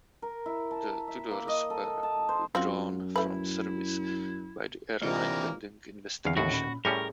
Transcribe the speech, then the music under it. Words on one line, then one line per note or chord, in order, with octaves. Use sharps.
The Tudors were withdrawn from service by the airline pending investigation.
A#4
E4
A5
E5
A#3
D#5
A4
A5
C5
F#2 C4 F4 F#4
A3 E4 B4
C3 E3 A#3 D4 F4 A#4 D#5 A#5
E2 D3 E3 C4 F5
D#2 A2 F#4
A#2 C#4 B5
A2 G3 C#4 G#4 A#4